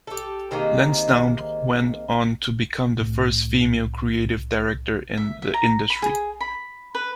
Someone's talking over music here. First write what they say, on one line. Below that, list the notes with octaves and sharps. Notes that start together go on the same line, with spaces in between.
Lansdowne went on to become the first female creative director in the industry.
G4 A4
C3 D#3 G#3 A#3
C2 A2 A3
E5
E5
A#5
B5
G#4
B5
B4